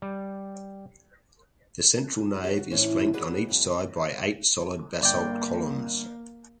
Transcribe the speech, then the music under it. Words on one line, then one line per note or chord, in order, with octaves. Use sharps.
The central nave is flanked on each side by eight solid basalt columns.
G3
F#3 G4 A4
F#4
A2 E3 C#4 D#4 C5
F#4 G#4 B4 D5 D#5
F2 G3
G1 A#3 D5 G5